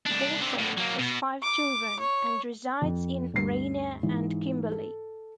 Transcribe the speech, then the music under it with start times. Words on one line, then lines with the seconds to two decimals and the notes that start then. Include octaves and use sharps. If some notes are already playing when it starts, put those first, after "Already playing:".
Boshoff has five children and resides in Orania and Kimberley.
0.06 C2 D4
0.40 D3 C4
0.59 A2 D3
0.78 F#3 A#3
0.99 B2 B3
1.43 D6
2.00 C#5
2.82 F2
3.34 D2 G2 C7
4.03 G#2 E3
4.72 A4